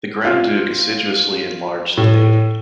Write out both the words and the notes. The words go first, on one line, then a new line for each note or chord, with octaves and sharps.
The Grand Duke assiduously enlarged the navy.
F4
A2